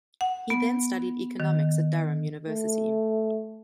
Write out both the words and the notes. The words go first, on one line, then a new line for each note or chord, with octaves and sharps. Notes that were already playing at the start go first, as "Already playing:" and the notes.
He then studied Economics at Durham University.
F#5
B3
D#3
A3